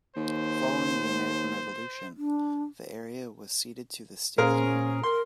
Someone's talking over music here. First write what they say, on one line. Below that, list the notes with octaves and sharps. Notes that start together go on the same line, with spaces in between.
Following the American Revolution, the area was ceded to the State of New York.
D#2 C5
D4
A#2 C#4 G#4 A#4 C5 F5
A#4 C6